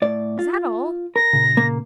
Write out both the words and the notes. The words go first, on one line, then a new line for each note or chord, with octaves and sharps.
"Is that all?"
A2 D5
F4
A#4 A#6
A#2 C#3
A#3